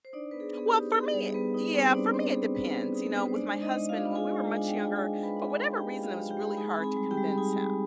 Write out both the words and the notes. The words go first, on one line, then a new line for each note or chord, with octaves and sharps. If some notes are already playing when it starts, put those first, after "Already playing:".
Well, for me, uh, yeah, for me it depends, you know, with my husband, when we were much younger, for whatever reason, it was really hard to convince him.
C5
D4 D#4 D5
B3 B4
G#4
B3 G#4
G4
D#4
B3 G#4
G3
G#4
B3 B4
D#4
G3 C4 C5
G3 D4 D5
G3 C4 C5
B3 G#4
G3 B3 B4
B3 B4
D#4 G#4
B3 D#4 B4
C5
G#3 D4 D5
G#3
D#4 D#5
G#3
F4 F5
D4
F4 G#4 G#5
G#3
D4 G#5
G5
D4 G#4 G#5
F4 G#4 G#5
G#3
B4 B5
D4
G#4 G#5
G#3
G#5
G#3 G4 G5
G#3
F4 F5
G#3
G4 G5
G#3
B5
D#4 G#4 G#5
C4 B5
G#4 G#5
G3
G4 G5
G3
B5
D#4 G#4 G#5
G3